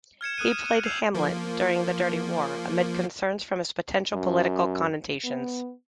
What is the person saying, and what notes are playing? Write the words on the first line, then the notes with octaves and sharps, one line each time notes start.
He played "Hamlet" during the Dirty War, amid concerns for its potential political connotations.
F6 G#6 C#7 E7
D#6 F#6 D#7
D#7
E6 G6 G#6 C7 F7
F3 A#3
F#2
B3